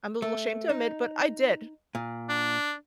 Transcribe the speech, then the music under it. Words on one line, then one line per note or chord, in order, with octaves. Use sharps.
I’m a little ashamed to admit, but I did.
A3
D#4
A#2
D4